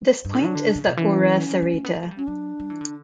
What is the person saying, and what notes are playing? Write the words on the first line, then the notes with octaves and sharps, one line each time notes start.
This point is the ora serrata.
G2
A2 D4
F#3
D3
C#3
C#3
B2
E3 C#4
G3
A3
B3
B3
A3
G3
F#3 C#4
F#3 D4
G3
E3
D3